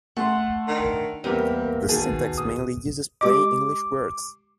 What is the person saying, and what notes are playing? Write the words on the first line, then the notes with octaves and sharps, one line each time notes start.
The syntax mainly uses plain English words.
A3 A4 F#5 C6
D#3 D4
E2 G3 A#3 C4 G4 A#4
B2 D#3 G#4 A5
A#2 D#6
G#3 G4 D#5 D6